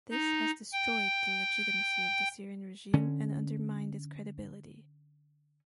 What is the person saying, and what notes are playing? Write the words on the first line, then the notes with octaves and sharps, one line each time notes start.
This has destroyed the legitimacy of the Syrian regime and undermined its credibility.
D#4
G5
D3 C#4